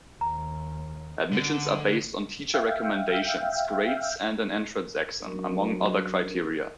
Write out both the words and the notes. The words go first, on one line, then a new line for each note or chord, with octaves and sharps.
Admissions are based on teacher recommendations, grades and an entrance exam, among other criteria.
D#2 A#5
D3
E5 F5 G5
F#3 C#4 D4 A#4